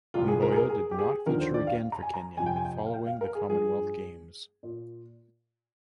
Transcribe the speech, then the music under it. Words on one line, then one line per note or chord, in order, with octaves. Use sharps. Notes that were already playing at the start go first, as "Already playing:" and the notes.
Mboya did not feature again for Kenya following the Commonwealth Games.
C2 A#2 F3 F4
G#4
A#4
G#4
A#4
G#4
G4
G#4
D#2 D3 F3 A#4
C5
D5
F5
A#5
G#5
A#5
F2 C3 F3 G#5
G5
G#5
G5
F5
G5
F5
A#4
G#4
G2 F3 G#4
A#2